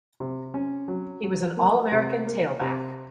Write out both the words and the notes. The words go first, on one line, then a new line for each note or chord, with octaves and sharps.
He was an All-American tailback.
C3
C#4
F#3
F#3
A#3
C3
A#3
C3